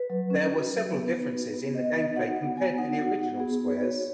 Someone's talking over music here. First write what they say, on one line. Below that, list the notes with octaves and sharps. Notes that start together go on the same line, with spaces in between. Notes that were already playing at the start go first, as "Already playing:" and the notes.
There were several differences in game play compared to the original "Squares".
Already playing: B4
F#3
C#4
F#4
F#3
B3
D#4
F#4
B3
B3 D#5
D#4 D#5
F#4 F#5
B3 F#5
B3 G#5
D#4 F#5
F#4 F#5
B3 F#5
B3 G#4
D#4
B4
F#4 C#5